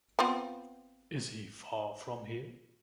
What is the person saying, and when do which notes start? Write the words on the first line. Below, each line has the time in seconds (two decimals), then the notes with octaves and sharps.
Is he far from here?
0.19 B3 C4 F4